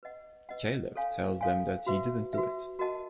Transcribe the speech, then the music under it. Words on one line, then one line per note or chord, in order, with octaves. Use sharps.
Caleb tells them that he didn't do it.
B4 D#5 F#5
B4 D#5 F#5
A4 C#5 F5 G#5
A4 C#5 F5 G#5
F#4 B4 E5
F#4 B4 E5
F#4 A#4 D#5 F#5 A5